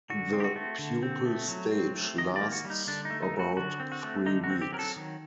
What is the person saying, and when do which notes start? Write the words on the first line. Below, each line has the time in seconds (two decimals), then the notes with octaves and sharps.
The pupal stage lasts about three weeks.
0.10 D3 F#4
0.33 C4
0.40 G4
0.44 F#4
0.56 A3
0.79 D3
1.03 C4
1.25 A3
1.48 F#3
1.71 C4
1.95 A3
2.18 D#3 D#5
2.36 D5
2.41 A#3
2.53 F#4
2.65 G3
2.70 D#4
2.87 D3 D4
3.05 D#4
3.10 A3
3.22 D#4
3.34 F#3
3.39 F#4
3.57 D3 F#4
3.80 C4
3.92 F#4
4.03 A3
4.26 D3 D#4
4.44 F#4
4.50 C4
4.61 G4
4.73 F#3 A#4
4.79 A4
4.96 D#3